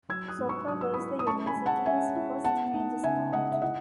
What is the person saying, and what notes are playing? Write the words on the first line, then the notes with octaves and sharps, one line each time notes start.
Soccer was the university's first major sport.
F#3 E6 G#6
D#6 F#6
G#2
C#6 E6
F#3 D#6
E6
E4 B5 D#6
D#6
C#4 A5 C#6
G#5 B5
G#3
F#5 A5
C#4 E5 G#5
E4
B3 F#5 A5
D#4
C#3 E5 G#5
G#3 D#5 F#5
E5
E4 D#5 F#5